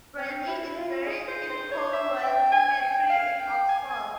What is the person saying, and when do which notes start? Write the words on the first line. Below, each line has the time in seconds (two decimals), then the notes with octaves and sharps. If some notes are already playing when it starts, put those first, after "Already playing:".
Bradley is buried in Holywell Cemetery in Oxford.
0.18 C4
0.47 E4
0.76 F4
1.06 G#4
1.28 C5
1.50 C5
1.71 C#5
1.93 E5
2.23 G5
2.52 G#5
2.81 G5
3.10 F5
3.39 G5
3.69 G#5
3.91 G#5